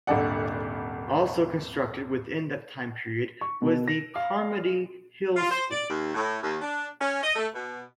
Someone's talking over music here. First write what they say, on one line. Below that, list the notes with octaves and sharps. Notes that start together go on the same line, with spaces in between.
Also constructed within that time period was the Carmody Hills School.
D#1 G#1 D3 A4 D5 F#5
C#6
B2
A#6
F5
F4
C5
D5
D#2
A2
D#2
D4
C#4
D#5
A3
B2